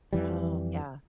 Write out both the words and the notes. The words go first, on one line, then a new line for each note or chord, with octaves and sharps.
Oh, yeah.
F2 E3 G3